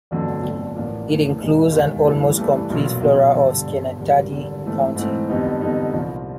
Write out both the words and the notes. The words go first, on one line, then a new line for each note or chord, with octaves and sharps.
It includes an almost complete flora of Schenectady County.
G1 F2 D3 F#3 A3
G1 F2 D3 F#3 A3
A1 A2 F3 A#3 D4
A1 A2 F3 A#3 D4
E1 D#2 D#3 G#3
E1 D#2 D#3 G#3
G2 E3 A3
G2 E3 A3
B1 A#2 F#3
B1 A#2 F#3
G1 G2 D3
G1 G2 D3
G#1 G2 D3 G3
G#1 G2 D3 G3
G#2 E3 A3 C4
G#2 E3 A3 C4
F2 D3 G3 B3 D#4
F2 D3 G3 B3 D#4
C2 A#2 F3